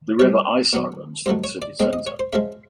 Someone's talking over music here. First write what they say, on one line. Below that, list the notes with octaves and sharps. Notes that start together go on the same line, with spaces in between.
The River Isar runs through the city centre.
C3 E3 G3 C#5
A#2 F#3 B3
G2 D#3 F#3 A3 C5
C#5
D5
E2 C#3 F3 G#3 C4 D#5
D#5
C#5
C5
C#3 F3 G#3 E5